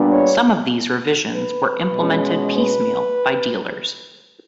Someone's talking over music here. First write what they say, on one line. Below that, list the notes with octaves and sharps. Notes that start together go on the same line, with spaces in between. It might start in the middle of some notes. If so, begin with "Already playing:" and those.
Some of these revisions were implemented piecemeal by dealers.
Already playing: A#2 G3 B3 D4
C#5
B4
B2 G#3 C#4
B4